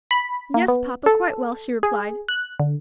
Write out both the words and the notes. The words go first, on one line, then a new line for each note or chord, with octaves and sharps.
"Yes, papa, quite well," she replied.
B5
A#3
B3
A4
G#4
F#6
D3